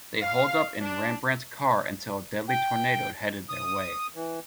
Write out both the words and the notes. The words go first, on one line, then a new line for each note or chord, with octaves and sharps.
They holed up in Rembrandt's car until a deadly tornado headed their way.
F5
D4
G5
D#6
E3